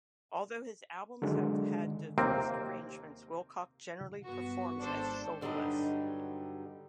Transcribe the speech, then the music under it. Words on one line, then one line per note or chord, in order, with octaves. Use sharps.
Although his albums have had diverse arrangements, Wilcox generally performs as a soloist.
D3 D#3 F#3 G#3
D#2 C3 A#3 C4
G2 B3 F#4 C#6
G#1 D4 A4 C5 D5
G2 D3 F#3 G3 D#4